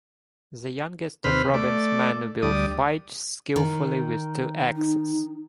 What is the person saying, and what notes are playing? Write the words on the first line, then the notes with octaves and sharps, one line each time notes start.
The youngest of Robin's men, Will fights skilfully with two axes.
D#2 C3 B4 C5 B5 F6
A3 D5
D2 G3 D5 D#6
D#3
D#4